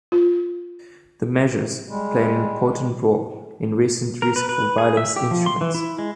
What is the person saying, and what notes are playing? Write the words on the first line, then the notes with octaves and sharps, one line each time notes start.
The measures play an important role in recent risk-for-violence instruments.
F4
G3 G#3
A#4
B4
B4
G#4
E5
G4
F3
C6
E3
E4
G#3